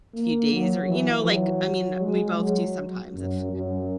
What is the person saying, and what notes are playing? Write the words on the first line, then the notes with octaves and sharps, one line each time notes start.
few days or you know, like, I mean, we both do sometimes if
A#3
F#3
E3
F#3
G#3
F#3
F#2
F#2